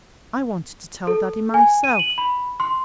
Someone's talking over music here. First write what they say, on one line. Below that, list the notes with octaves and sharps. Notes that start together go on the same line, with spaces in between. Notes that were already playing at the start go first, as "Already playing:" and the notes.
I wanted to tell daddy myself.
A4
G#5
D#7
F#7
B5
C6